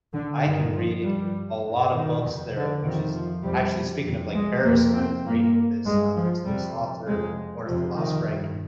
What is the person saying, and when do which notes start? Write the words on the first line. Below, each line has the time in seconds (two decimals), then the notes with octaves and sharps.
I can read a lot of books there, which is actually speaking of like, Paris, I was reading this uh, there's this author, or a philosopher, I could
0.12 D3
0.43 G2 D#3
0.72 F3
1.03 G2 G3
1.63 G2
1.94 D#3
2.23 F2 C3
2.54 D3
2.83 F2 C3 D#3
3.13 F3
3.43 F2 C3 G3
4.03 F2 C3
4.34 G#3
4.64 F2 A#3
4.68 C3
4.94 C4
5.25 G2 A#3
5.84 G2 G#3
6.15 F3
6.44 F2 C3 G3
7.05 F2 C3 G#3
7.65 F2 C3 F3
7.95 D#3
8.26 G2